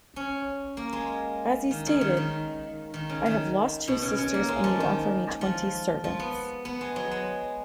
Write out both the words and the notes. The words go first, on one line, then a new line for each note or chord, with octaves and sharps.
As he stated; 'I have lost two sisters and you offer me twenty servants.
C#4
A#3
G#3
D#3
C#3
D#3
D#3
D#3
C#3
D#3
B2
C#3
C#3
A#3
G#3
F3
D#3
F3
F3
B3
B3
G#3
F#3
G#3